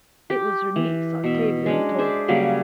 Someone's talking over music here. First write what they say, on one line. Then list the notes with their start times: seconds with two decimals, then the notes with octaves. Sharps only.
It was her niece, Octavia, who told her.
0.30 G4
0.76 E3
1.24 B2 E5
1.66 G#3 C#4 D4
1.99 G#4 C5 D5 E5
2.28 C#3 F#3 G3 A#3